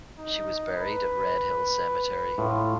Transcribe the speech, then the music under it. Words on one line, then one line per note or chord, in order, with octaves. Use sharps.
She was buried at Redhill Cemetery.
D#4
B4
A2 F4